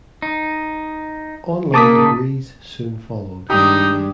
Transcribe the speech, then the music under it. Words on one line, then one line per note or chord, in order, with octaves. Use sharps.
On-line degrees soon followed.
D#4
C#3 A#3 D#4 A5 D6 D#6 B6
G2 D#3 G#3 D4 D#4 G4 D#6